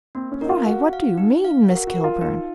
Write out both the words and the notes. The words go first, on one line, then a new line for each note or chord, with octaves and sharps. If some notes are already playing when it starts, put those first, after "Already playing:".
"Why, what do you mean, Miss Kilburn?"
A#3 C4
C#4
D#4 A#4
F4
F#4 F5
F5
D#4
F5
F#4 A#4
F#4
A#4
F4
D#4